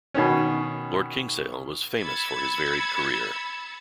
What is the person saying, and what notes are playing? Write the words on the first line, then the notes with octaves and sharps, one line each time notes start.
Lord Kingsale was famous for his varied career.
B2 D#3 C#4
B5 E6 G#6 A6 C#7